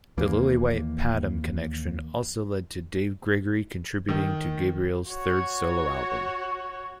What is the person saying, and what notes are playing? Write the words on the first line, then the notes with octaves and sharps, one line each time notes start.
The Lillywhite-Padgham connection also led to Dave Gregory contributing to Gabriel's third solo album.
D#2 E3 A#3
D#3
F#4 C#5